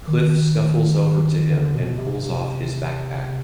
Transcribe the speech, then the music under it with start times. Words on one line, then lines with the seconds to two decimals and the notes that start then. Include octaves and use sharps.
Cliff scuffles over to him and pulls off his backpack.
0.07 D#3
1.50 D3
1.75 B2
1.98 C3
2.22 C3